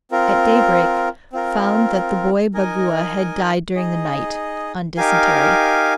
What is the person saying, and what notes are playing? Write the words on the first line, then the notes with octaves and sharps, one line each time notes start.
At daybreak found that the boy Bagua had died during the night, on dysentery.
C4 F4 A#4
C4 F4 A#4
D#4 A#4 D#5 G#5
D#4 G#4 D#5
D#4 G4 A#4 F5 G#5